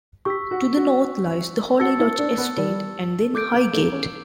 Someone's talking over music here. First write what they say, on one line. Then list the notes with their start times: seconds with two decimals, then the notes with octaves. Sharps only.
To the north lies the Holly Lodge Estate and then Highgate.
0.25 G4 C#6 E6 B6
0.51 F#4
0.77 F#4
1.80 F#4 A5 E6 A6 C#7
1.99 E4
2.18 D4
2.38 B3
2.57 G3
3.34 A3 D6 G6 D7
3.54 B3
3.73 A3
3.92 C#4